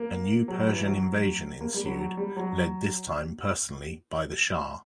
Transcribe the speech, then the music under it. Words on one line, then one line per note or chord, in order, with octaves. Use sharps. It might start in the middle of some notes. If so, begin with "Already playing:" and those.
A new Persian invasion ensued, led this time personally by the shah.
Already playing: A#3
F#3
E3
F#3
A#3
G3
F#3
F#3
G3
F#3